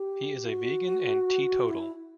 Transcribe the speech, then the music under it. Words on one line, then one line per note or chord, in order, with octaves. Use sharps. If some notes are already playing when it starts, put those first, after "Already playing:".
He is a vegan and teetotal.
Already playing: G4
F#4
E4